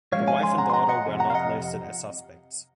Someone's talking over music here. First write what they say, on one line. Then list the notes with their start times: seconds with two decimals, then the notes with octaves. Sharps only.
The wife and daughter were not listed as suspects.
0.12 G#2 F3 G#3 C#4 C#5 F5
0.27 F5 G#5
0.43 G#5 C6
0.58 F#5 A#5
0.70 C6
0.74 F#5 A#5
0.89 D#5 F#5
1.06 F2 C3
1.20 F#5 A#5
1.30 F5
1.35 D#5 F#5